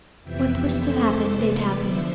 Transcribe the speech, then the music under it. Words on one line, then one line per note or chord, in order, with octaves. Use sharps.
What was to happen did happen.
F2 C3 E3 B3 E5 G5
F2 E3 A3 C4 A4 C5
C3 E3 B3 B4 D5
D3 F3 C5 E5